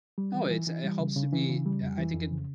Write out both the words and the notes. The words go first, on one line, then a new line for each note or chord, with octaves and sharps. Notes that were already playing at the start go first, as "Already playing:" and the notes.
Oh, it's it helps to be I I think it
G3
E3
E3
E3
G3
C#3
C#3
E3
C#3
G3
F2
E3
F2
C#3